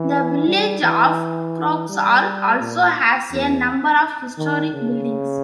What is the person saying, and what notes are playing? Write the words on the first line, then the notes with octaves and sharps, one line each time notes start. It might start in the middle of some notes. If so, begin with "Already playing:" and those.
The village of Croxall also has a number of historic buildings.
Already playing: E3
G3
E3
G3
A#2
E2
D#3
C#3